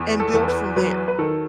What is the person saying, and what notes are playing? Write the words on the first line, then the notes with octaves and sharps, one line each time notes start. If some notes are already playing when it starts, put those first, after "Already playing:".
And build from there,
Already playing: E2
A4
E2
B4
F#3 B4
B4
D#3 A4